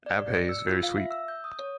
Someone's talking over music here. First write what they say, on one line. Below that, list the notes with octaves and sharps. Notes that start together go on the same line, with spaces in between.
Abhay is very sweet.
D5
D5
C#7
E6
F4
F5
E5
E6
G6
D#6
C#5